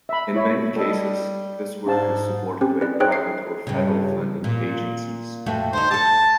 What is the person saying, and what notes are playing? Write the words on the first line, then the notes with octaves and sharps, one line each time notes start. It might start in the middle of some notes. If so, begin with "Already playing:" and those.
In many cases, this work is supported by private or federal funding agencies.
E5 B5
E4 C#5 E5
G3 A4 D#5
G#2 D4 F5 A5
C4 C#4 G4
B4 D5
D#4 G#4 C5 C#5 G5 F#6
C7
G2 C#3
A#2
F2 A3 F#4
D2 D#4 C5
G4 A4 A5